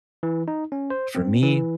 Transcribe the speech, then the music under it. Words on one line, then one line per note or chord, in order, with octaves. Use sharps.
For me,
E3
D#4
C#4
C5
C4
E3